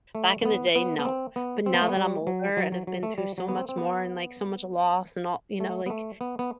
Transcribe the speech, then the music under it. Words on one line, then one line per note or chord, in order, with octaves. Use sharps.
back in the day, no, but now that I'm older, and have been through so much more and, like, so much loss and all you know, like,
A3
B3
B3
B3
C4
B3
C4
B3
A3
B3
G3
F#3
F#3
F#3
F#3
A3
G3
F#3
B3
C4
C4
B3
A3
B3
A3
B3
B3